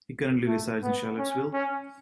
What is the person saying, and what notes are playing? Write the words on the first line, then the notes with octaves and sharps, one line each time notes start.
He currently resides in Charlottesville.
A3
B3
C#4
C#4